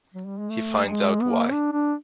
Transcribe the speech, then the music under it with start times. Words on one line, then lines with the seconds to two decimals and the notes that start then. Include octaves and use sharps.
He finds out why.
0.14 F#3
0.26 G3
0.38 G#3
0.50 A3
0.86 G3
0.90 G#3
1.22 B3
1.31 A#3
1.52 D4
1.72 D4